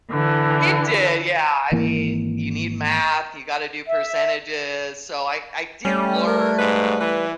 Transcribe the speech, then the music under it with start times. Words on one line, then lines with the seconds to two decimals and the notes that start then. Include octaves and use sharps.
it did, yeah, I mean, you need math, you gotta do percentages, so I I did learn
0.11 D3 E3
1.72 G#1 E3 A#3
3.87 E5
5.85 G3 A3 C#4
6.26 A#4
6.58 G#2 B4
7.00 E3 B4